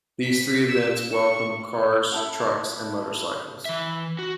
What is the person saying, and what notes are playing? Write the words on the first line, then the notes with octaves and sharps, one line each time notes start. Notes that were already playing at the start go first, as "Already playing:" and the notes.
These three events welcome cars, trucks, and motorcycles.
B6
E6
C#6
E4 A4 F#5
E3 E5
F#4